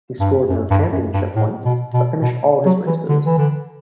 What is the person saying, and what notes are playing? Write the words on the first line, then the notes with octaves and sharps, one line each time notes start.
He scored no championship points, but finished all his races.
G2
F#2
G2
F#2
G2
A2
B2
B2
B2
F#3
E3
D3
E3
D3